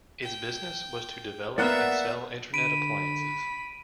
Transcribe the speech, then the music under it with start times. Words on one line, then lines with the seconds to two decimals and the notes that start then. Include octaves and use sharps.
Its business was to develop and sell Internet appliances.
0.22 G5
1.58 A#3 B3 D5 E5 F#5 F#6
2.54 D3 B5 D7 D#7